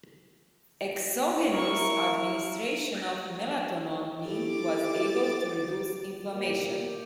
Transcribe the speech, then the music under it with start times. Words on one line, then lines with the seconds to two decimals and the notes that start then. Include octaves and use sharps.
Exogenous administration of melatonin was able to reduce inflammation.
1.53 E4 A#4 D#5 C#6
4.26 E4 G4 A4 D6 A6
6.34 A#2 G4